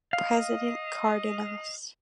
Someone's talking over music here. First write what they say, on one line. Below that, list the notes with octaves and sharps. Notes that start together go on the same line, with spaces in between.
President Cárdenas.
D#5 F5